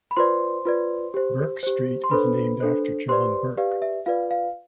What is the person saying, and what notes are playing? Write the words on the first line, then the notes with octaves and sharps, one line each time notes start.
Bourke Street is named after John Bourke.
B5
F4 B4 C5 D5 C6
F4 B4 D5
G4 C5
G4 C5
C6
D4 A4 B4 C5 B5
D4 A4 C5
G4 B4 C5 D5 C6
G4 B4 D5 F5
E5
F4 B4 D5 F5
F5